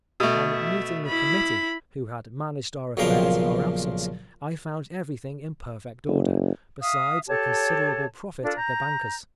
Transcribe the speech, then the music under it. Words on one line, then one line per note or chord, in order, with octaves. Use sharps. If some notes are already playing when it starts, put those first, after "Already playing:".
On meeting the Committee, who had managed our affairs in our absence, I found everything in perfect order, besides a considerable profit at the banker's.
B2 A3
E5
E4 B5
B1 A#2 C#3 F3 A#4 C5
F#1
E5 F5 D#6
G4 A4 C#5 A5
D4 F4 A4
A#5 G6